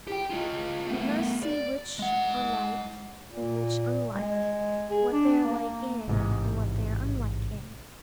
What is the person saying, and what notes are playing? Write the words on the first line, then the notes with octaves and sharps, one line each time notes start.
You must see which are like, and which unlike; what they are like in, and what they are unlike in.
G4 G5
G#3 F4
A3 B3
D5
G#3 F#5
A#2
G#3
G#4
D4
A#3
A1 G#2 C3